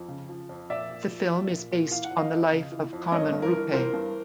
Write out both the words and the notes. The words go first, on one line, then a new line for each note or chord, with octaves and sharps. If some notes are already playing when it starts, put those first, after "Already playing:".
The film is based on the life of Carmen Rupe.
Already playing: F2
C#3
F3
F2
A#2 D5 E5
A#2
F3
F3
A#2
A#2
E3 F5
F#5
F2
D#5 F5
F2
C#3
E3
F2
G2 C#5 D#5
G2
A#4
E3
E3 A#4 C5
G2